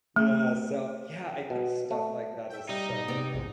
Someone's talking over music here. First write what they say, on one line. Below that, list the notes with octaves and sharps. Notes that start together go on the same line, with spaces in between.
Yeah, so, yeah. I think stuff like that is so
A3
B2
A3
E5 G5
G3 D#4
B2
C3 B3 D5
A#1 E2 G#2